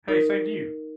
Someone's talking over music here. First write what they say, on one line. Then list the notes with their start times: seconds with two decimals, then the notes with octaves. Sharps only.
Hey, same to you.
0.08 D#4 A#4